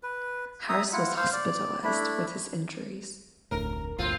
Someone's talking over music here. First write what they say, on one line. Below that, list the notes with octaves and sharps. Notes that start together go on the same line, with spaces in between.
Harris was hospitalized with his injuries.
B4
E5 A#5 D#6
E4 F4 F#5
C5 F5
D5
A3 D4 E4 B5
F1 D2 A2 A#4
G1 D2 A2 C4 F4